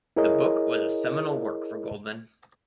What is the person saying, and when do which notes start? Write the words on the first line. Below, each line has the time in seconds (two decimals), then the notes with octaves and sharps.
The book was a seminal work for Goldmann.
0.17 E4 G#4 A#4 C#5 D#5